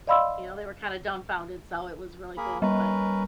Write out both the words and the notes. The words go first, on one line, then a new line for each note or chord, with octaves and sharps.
You know, they were kinda dumbfounded, so, it was really cool. But
D5 D#5 F5 B5 C6 E6
A#3 G#4 B5
G3 C#4 A#4 B4